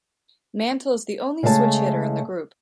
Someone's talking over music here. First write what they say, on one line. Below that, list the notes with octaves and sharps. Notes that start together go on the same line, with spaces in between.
Mantle is the only switch-hitter in the group.
C#3 G#3 A3 D5 A5